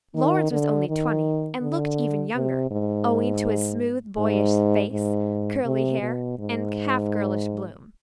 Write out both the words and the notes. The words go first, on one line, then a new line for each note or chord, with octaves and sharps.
Lawrence was only twenty, and looked even younger, owing to his smooth, boyish face, curly hair, and half-girlish bloom.
D#3
D3
D#3
D3
C3
G#2
G#2
G#2
C3
B2
G#2